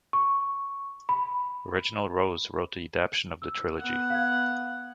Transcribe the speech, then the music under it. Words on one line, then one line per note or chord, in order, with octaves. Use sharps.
Reginald Rose wrote the adaptation of the trilogy.
C#6
B5
E6
B3 F#5
F5 G#6